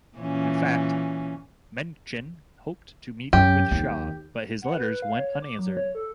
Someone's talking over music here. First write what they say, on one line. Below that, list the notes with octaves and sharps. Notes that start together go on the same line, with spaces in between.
In fact, Mencken hoped to meet with Shaw, but his letters went unanswered.
A#2 E3 C#4
F#2 G4
D#2
F#5
B4
B4
F5
C#5
D6
F#3
C#5
A4